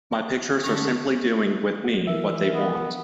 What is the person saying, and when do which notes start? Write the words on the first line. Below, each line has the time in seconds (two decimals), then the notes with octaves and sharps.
My pictures are simply doing with me what they want.
0.12 D#5
0.63 D3 G3 C#4 A#5 C#6
1.84 F#4
2.07 E3 A#4 E5
2.55 B3